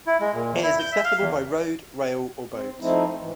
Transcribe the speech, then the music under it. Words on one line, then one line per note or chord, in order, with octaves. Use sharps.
It is accessible by road, rail or boat.
E4
G#3
A#2
E2
E4
G6
E5
F5
E2
C4
F3 A3 C4 D#4 E4
G#2 E3